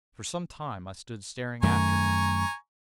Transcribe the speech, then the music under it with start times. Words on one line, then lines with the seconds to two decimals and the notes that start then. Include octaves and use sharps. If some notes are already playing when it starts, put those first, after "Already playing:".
For some time I stood staring after him.
1.63 F#2 D#3 A3 G#5 A#5 C#6